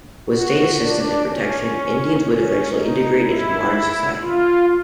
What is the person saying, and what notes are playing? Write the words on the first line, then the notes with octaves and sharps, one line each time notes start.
With state assistance and protection, Indians would eventually integrate into modern society.
F#4
D4
C#4
C#4
D#4
E4
F4